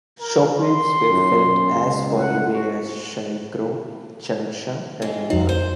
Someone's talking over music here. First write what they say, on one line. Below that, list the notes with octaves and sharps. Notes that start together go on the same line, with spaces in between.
Shockwaves were felt as far away as Shangrao, Changsha, and Wuhan.
A#4
C6
F#2
C#2
F#5
F#4
F2 G#3
F2 F#3 D#4
C5